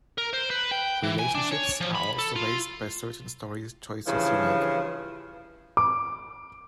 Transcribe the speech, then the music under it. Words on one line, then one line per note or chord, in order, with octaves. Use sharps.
Relationships are also raised by certain story choices you make.
A#4
C5
B4
G5
E3
G#5
D4
C#5
F3
B5
A4
F4
G2 C#3 E3 F3
D6